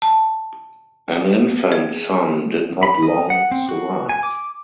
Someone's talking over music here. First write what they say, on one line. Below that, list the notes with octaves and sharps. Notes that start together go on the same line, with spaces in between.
An infant son did not long survive.
A5
G#4
B5
D#5
F#5
C4
F#4
G#5
D6